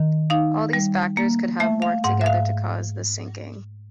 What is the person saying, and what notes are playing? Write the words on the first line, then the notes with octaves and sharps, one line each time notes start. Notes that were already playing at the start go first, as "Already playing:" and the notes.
All these factors could have worked together to cause the sinking.
Already playing: D#3
D#4 F5
G3
A#3
A3 E5
F5
G#2 F#5
E5
F5